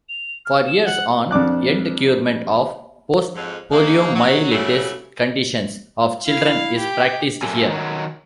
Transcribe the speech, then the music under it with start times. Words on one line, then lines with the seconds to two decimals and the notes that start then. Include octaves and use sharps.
For years on end curement of post poliomyelitis conditions of children is practised here.
0.09 F7
0.46 F6
0.67 E7
0.85 F#5
1.31 F2 D4 D6 F#6
3.35 F2 G#2
3.71 C#3 G#3 A#3
4.14 F#3
4.51 C#3 F#3 G3 A3 E4
6.25 E4 F5
6.78 G4
7.43 F#2 F#3 A#3 A4 G#5
7.67 D#3 F#3